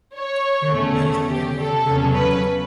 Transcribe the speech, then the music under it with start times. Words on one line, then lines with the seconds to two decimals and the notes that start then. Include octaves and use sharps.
He replaced Eduard Vilde.
0.14 C#5
0.71 E2 B2 A3 C#4
1.29 G4
1.58 A4
1.86 E2 C#3 F#3 C#4
2.15 B4